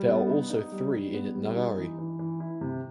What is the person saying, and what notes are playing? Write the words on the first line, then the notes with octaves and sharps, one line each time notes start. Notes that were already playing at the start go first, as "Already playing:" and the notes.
There are also three in the "nagari".
Already playing: G3
B3
D#4
D#4
G3
G3
B3
G3
D#4
E3
E3
E3
E4
C3